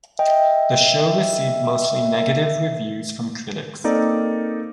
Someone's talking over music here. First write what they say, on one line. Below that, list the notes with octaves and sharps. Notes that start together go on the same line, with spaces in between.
The show received mostly negative reviews from critics.
D#5 E5 G5
A#3 C4 D#4 A4 A#4 D5